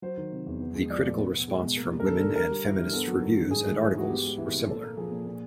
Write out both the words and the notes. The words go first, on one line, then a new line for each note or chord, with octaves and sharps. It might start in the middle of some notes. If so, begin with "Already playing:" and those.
The critical response from women and feminist's reviews and articles were similar.
F#3 C5
D#3
C3
E2
B3
G#3
F3 D5
A2
B2
B3
G#3
B2
A#3
G3
A#4
D3 A4
G2 A#4
G2 A#4
G3
E3
G2
B3 A4
F#3
D#3
G2
G#2 G#4
A3
E3
G#2 F#4
B3 G4
G#3
E3
C3
A#2 A4
A#3
F3 G#4
A#2
A#2